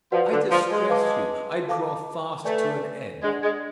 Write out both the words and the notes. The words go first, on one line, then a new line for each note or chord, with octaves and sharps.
I distress you; I draw fast to an end.
F3 F#4 B4 D5 F#5
D3
F3
G#3
B4 F5 A5 D6
A4 F5 A5 D6
A3 B4 D5 G#5
G#3 D4 G#4 D5 F#5
G#3